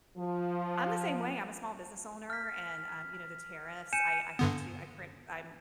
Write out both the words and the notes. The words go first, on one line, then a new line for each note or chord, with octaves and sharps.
I'm the same way. I'm a small business owner and, um, you know, the tariffs. I I have to I print I'm
F3
F6 B6
G#5 G6 C#7 D#7 E7
G2 D3 B3